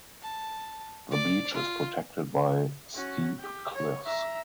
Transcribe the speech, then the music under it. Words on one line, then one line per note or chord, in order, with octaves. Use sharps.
The beach is protected by steep cliffs.
A5
D5
F4
C#4 F#4
G4
C#5
E5 A#5